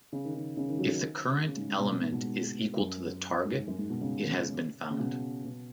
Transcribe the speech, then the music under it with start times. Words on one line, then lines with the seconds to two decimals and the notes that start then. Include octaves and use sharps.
If the current element is equal to the target, it has been found.
0.12 C#3
0.25 D#3
0.35 C#3
0.57 C#3
0.69 D#3
0.79 F#3
0.90 D#3
1.46 C#3
1.57 G#2
1.69 G#2
1.79 B2
1.91 B2
2.01 G#2
2.12 B2
2.23 G#2
2.79 F#2
3.45 G#2
3.67 F#2
3.78 G#2
3.90 B2
4.01 C#3
4.91 C#3
5.00 B2
5.45 B2